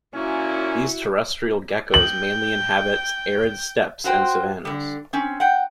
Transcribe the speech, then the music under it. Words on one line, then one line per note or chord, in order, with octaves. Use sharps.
These terrestrial geckos mainly inhabit arid steppes and savannas.
A#2 C#4 E4 F#4
G5 F#7
F4 F#4 C5 G5
D3 G3
C4 C#4
F#5 G5